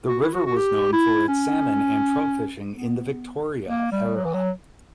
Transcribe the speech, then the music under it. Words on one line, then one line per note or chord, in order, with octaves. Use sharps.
The river was known for its salmon and trout fishing in the Victoria era.
F#4
E4
F#4
F#4
G4
E4
C#4
B3
A#3
G3
F#3
E3
F#3